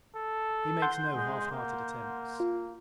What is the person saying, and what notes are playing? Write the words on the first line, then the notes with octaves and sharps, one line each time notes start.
He makes no half-hearted attempts.
A4
F#5 C6 G6
G#3
A#3
F4